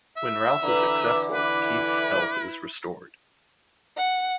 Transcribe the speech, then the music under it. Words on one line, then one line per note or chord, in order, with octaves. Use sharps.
When Ralph is successful, Keith's health is restored.
E5
D3 E3 B4 A#5 D6
E4 B4
F#5